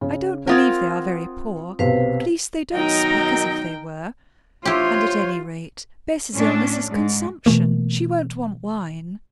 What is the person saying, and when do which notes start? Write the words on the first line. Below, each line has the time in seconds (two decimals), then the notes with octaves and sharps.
I don't believe they are very poor,--at least, they don't speak as if they were; and, at any rate, Bessy's illness is consumption--she won't want wine.
0.01 C#3
0.47 C4 F4 A#4 F#5 D#6 G#6
1.79 B1 C3 B4 C5 F5
2.75 B2 D#3 F#3 D#4 A#4 G5
4.65 E4 F4 G4 C5 C#5
6.33 A2 C#4 D4
6.88 G#2
7.46 B2 E3 A3 A#3